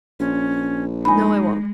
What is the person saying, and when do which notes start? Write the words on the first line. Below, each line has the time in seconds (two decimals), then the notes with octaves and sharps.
No, I won't.
0.20 A#1 C#4
1.05 G#3 D#4 G#5 B5